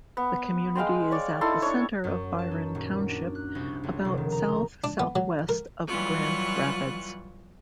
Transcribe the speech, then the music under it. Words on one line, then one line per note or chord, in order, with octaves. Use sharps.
The community is at the center of Byron Township, about south-southwest of Grand Rapids.
B3
G#3 F5 G5 C6
C#5 D5
D#4 E4 A4 C6
D4 C#5
F#2
A5
D#4
D#1
D4
F#6
C2
C#2
F1
D#3
A#5
D4
B3
F#3
A#4
E3 F#3 G3 F4 C#6 F#6